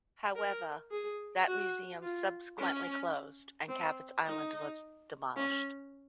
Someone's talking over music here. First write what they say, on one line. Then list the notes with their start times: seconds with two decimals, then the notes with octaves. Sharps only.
However, that museum subsequently closed and "Cabot"s island was demolished.
0.36 A#4
0.91 G#4
1.47 F#4
2.02 F4
2.58 C#4
3.69 C4
4.25 D#4
5.36 C#4